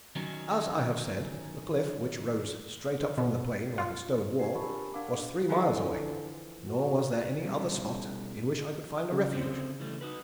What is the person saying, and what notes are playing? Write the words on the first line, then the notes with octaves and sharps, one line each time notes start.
As I have said, the cliff, which rose straight up from the plain like a stone-wall, was three miles away, nor was there any other spot in which I could find a refuge.
D#3 F#3 C#4 D#4
B2
F4
D4 F4 G4
G4 A#4 G#5 A5 B5 C#6
D4 A#4 F5 F#5 D6
D3 E3 F3 G#3
F#4
B2 G3 C#4
C#3
D3 C4 C5
E3 G3 A3
D#4 F#4 B4